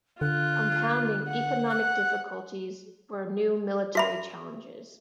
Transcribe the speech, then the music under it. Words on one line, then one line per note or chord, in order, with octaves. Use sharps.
Compounding economic difficulties were new military challenges.
D3 F4 F#6
F#5
F#5 F#6
F#4 E5 B5